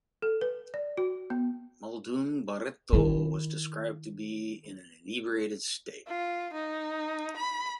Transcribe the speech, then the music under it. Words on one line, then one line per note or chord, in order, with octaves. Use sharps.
Muldoon Barreto was described to be in an inebriated state.
A4
B4
D5
F#4
B3
D#3 E4
F4
D#4
B5